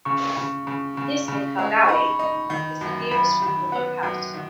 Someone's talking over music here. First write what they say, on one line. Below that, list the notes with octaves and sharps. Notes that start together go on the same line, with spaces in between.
Nizhniye Kargaly is the nearest rural locality.
C#3 C#6
C#3
C#3
C#3
C#3
G#3
C#6
D#4 B5
D#4
D#3
F#2
F#2 B5
D#3
B3 F#5
F#2
D#3